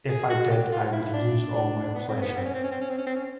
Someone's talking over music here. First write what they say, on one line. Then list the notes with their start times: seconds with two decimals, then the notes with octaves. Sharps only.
If I did, I would lose all my pleasure.
0.10 G#4
0.30 F#4
0.51 G4
0.72 F4
0.93 E4
1.14 D4
1.55 D4
1.95 B3
2.09 C4
2.22 B3
2.37 C4
2.46 C#4
2.55 C4
2.64 C#4
2.72 C4
2.81 C#4
2.90 C4
2.98 C#4
3.07 C4
3.16 C#4